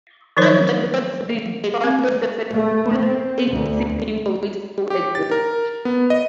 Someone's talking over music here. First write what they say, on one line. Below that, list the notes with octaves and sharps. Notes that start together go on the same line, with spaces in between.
On Jadwat Street, they founded the first school in Isipingo which still exists.
D#3 F3 F#3 D#4 A#4 C#5
C4
A3
C4
D2
G4
A6
A#4
B3
D#5